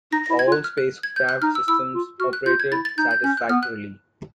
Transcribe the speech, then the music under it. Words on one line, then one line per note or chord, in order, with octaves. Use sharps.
All spacecraft systems operated satisfactorily.
D#4 A#6
E4 A#6
G#6
F4
F#6
F6
F#6
G#6
G6
F#6
D#4 F6
E6
E4 E6
F4
F#4 F6
F#6
F4 G6
G#6
E4 A6
A6
D#4 G6
G6
C#4 G6
F#6
B3 F6
F#6